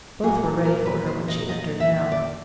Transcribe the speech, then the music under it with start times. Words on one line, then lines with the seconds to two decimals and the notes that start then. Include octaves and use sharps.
Both were ready for her when she entered now.
0.23 F#3 G#4
0.28 A#2
0.44 A4
0.65 A#4
0.86 B4
1.06 C5
1.28 D#5
1.49 D#5
1.80 E5
2.12 D5